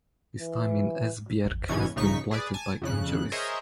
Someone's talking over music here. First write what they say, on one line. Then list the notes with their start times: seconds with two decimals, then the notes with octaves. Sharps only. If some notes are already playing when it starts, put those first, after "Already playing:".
His time in Esbjerg has been blighted by injuries.
0.40 E3
1.68 G1 G#2 B2 E3 C#4 G#6
1.96 A#1 C#3 D#4 C#6 B6
2.31 G#4 B4 D5
2.54 G#5 A5
2.82 F2 C#3 F#6
3.32 G#4 A#4 C5 C#5 D#5 E5